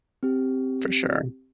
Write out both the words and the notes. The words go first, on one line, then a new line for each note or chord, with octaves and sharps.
For sure.
C4 G4